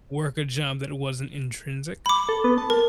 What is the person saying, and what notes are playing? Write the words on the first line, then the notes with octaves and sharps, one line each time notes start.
work a job that wasn't intrinsic,
B5 D6
A4
B3
A5
A#4